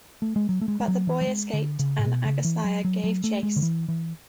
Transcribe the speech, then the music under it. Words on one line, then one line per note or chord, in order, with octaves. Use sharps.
But the boy escaped and Agasthya gave chase.
A3
G#3
F#3
A3
G#3
G#3
F#3
E3
F#3
G#3
D3
C#3
A2
B2
C#3
E3
F#3
F#3
F#3
A3
G#3
D3
E3
E3